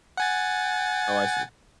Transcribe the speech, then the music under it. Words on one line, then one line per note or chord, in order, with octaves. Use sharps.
Oh, I see.
F#5 G#5 A6